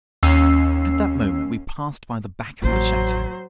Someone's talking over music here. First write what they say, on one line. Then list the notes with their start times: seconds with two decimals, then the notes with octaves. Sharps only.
At that moment we passed by the back of the chateau.
0.23 D#2 C#4 E6 C7
2.62 A1 F#3 A#3 C5